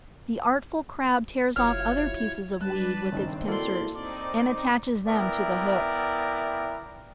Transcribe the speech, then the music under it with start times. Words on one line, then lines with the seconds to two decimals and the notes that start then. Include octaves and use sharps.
The artful Crab tears off other pieces of weed with its pincers, and attaches them to the hooks.
1.56 F#1 F#3 E4 F4 C#5 F6
2.61 G3 D4 B4 A5 F#6
3.12 F#1 G2 D#3 C4
3.48 A#3 E4 F#4 A4 D5 C6
3.95 C4 D#4 D5 D6
5.08 B3 E4 A#4 D5 E5 G5